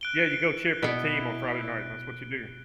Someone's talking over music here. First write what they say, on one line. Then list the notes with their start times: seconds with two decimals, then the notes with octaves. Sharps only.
Yeah, you go cheer for the team on Friday night that's what you do.
0.01 F#6 D7 G7
0.83 B2 B3 E4